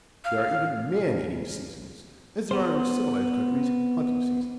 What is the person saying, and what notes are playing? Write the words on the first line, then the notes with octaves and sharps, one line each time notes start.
There are even 'man-eating seasons,' as there are in civilized countries hunting seasons.
F5
B3 C5